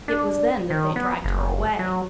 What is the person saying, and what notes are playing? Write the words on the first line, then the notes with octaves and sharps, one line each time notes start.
It was then that they dragged her away.
D4
D#3
B3
F#1
F#3